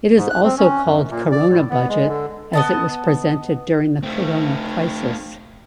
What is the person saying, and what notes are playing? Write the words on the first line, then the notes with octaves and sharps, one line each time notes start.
It is also called Corona budget as it was presented during the Corona Crisis.
G#2
F#6
C4
C#4
F#2
A#2
D5
A2
B3
G#3
D3
B3 D#5 A5
A3 C4